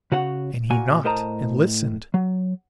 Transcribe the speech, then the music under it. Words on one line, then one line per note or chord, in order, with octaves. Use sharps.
And he knocked and listened.
C#3 F#4 C#5 F#5
A#2 A#3 F#4 G#5
A2 A#4 C5 D#5 A5 A#5
F#3